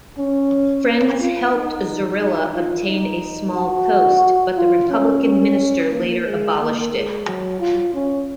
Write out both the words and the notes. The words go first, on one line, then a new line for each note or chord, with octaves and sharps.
Friends helped Zorilla obtain a small post, but the republican minister later abolished it.
C#4
F4
D#4
D#4
F4
D#4
F#4
F4
C#4
C#4
A#3
G#3
A#3
G#3
F#3
F4
C#4